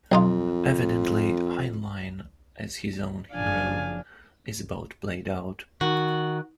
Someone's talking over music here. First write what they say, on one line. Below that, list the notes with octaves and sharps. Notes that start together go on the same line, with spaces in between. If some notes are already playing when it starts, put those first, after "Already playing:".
Evidently, Heinlein as his own hero is about played out.
B1 F2 D#4 F4
F#1 C#3 F3 D4 F5 G#5
D#3 F#4